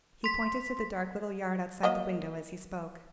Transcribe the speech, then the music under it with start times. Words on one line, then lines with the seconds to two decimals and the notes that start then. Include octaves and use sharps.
He pointed to the dark little yard outside the window as he spoke.
0.24 C6 B6
1.83 F#3 A#3 D#5